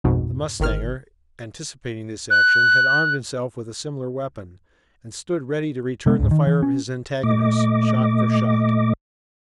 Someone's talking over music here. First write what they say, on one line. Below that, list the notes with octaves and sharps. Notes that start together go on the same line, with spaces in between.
The mustanger, anticipating this action, had armed himself with a similar weapon, and stood ready to return the fire of his antagonist-- shot for shot.
A#1 F2 G#2 B2
G1 D#3 F6
F#6
C3 G#3 B3
C#2 G#2
D#3
E3
C#4
A#2 A3 D#5 D6